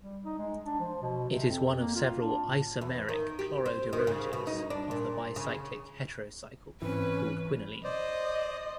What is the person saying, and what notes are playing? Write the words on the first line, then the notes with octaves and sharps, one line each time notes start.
It is one of several isomeric chloro derivatives of the bicyclic heterocycle called quinoline.
G3
D#4
G#3
D4
F3
B2
C3
F2
A#3
F4
D4
A2
E2
D#3
G4
C4
D#3
C#3
B2
D#4
D4
A#2
C#3
G#2 E3 C4 C#4 B4
C5 D5 D#5